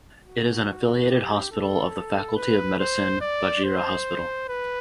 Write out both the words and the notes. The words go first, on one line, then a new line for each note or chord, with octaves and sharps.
It is an affiliated hospital of the Faculty of Medicine Vajira Hospital.
F#4
G4
A4
B4
C5
D5
C5
B4